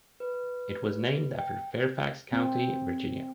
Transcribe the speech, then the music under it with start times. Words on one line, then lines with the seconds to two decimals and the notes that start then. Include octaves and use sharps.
It was named after Fairfax County, Virginia.
0.20 B4
1.39 G5
2.33 C4